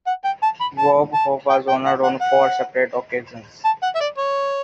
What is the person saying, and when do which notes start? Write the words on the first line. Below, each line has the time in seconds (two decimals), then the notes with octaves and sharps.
Bob Hope was honored on four separate occasions.
0.07 F#5
0.25 G5
0.43 A5
0.61 B5
0.79 A5
1.14 A5
1.50 G5
1.68 G5
1.86 F#5
2.04 F#5
2.21 F#5
3.65 A5
3.83 F#5
3.95 E5
4.01 D5
4.18 C#5